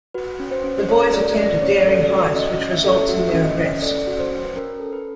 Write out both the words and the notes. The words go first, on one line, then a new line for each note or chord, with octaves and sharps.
The boys attempt a daring heist, which results in their arrest.
F#4 B4
C#4
C5
C#4
A4 C#5
F#4 D5
C#4 D5
D5
C#4 C#5
A4 D5
F#4 D5
C#4 D#5
C#4
E5
A4
F#4 E5
C#4
D#5
C#4
A4 D5
F#4
C5
C#4
B4
C#4 A#4
A4
B4